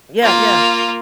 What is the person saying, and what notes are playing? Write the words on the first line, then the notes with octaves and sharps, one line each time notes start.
Yeah, yeah.
A#3 F4